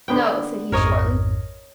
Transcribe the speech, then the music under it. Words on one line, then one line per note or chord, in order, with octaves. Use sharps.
"No," said he shortly.
D3 B3 G5
A1 F2 G#2 A#4 C#5 D#5